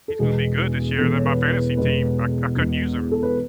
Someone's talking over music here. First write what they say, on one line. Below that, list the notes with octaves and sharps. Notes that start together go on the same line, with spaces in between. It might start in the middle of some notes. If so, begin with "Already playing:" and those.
"He's gonna be good this year," and then my fantasy team, I I couldn't use him.
A4
E1 E2 B2 G#3 B3 G#4
E1 E2 B2 G#3 B3 A4
C#5
B4
B4
E1 E2 B2 G#3 B3 B4
E1 E2 B2 G#3 B3
A4
B4